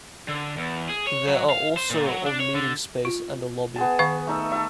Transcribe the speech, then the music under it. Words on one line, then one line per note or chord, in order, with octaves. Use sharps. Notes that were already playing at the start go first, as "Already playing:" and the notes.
There are also of meeting space and a lobby.
D3
E2
G#4
C#5
F#3
F5
C5
A#2
F#3
D4
C#5
D3
F4
B3 G#4 A5
D#3 F5 C#6
A3 D#4 E5
A4 E5